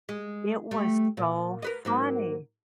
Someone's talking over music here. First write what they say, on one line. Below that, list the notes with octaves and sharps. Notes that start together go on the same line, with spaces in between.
It was so funny.
G#3
G3 A3
A#2
A#4 B4 D#5
G#2 F#3 A#3